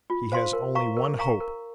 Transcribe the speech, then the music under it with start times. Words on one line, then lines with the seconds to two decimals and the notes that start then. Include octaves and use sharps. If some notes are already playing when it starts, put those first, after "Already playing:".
He has only one hope.
0.10 F4
0.32 C5 F5 C6
0.53 A#4
0.75 F5 A#5 C#6
0.97 A#4
1.19 F5 A#5 C#6
1.40 A#4